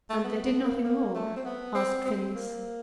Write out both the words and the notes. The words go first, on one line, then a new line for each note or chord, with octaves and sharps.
"And they did nothing more?" asked Phineas.
A3
B3
B3
A#3
A#3
A3
C4
B3
C4
C4
A#3